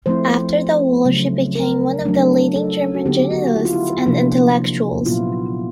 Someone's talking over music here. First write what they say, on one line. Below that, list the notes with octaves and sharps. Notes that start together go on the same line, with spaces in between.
After the war, she became one of the leading German journalists and intellectuals.
F3 A3 C4 E4 C5
C#3 F#3 A3 C4
A#4
F#3 A3 D4
A4
F#4
D3 F#3 B3 D#4 G4
F#4
E4
F4
E4
C3 F3 A#3 D4
A#2 F#3 B3 E4 F4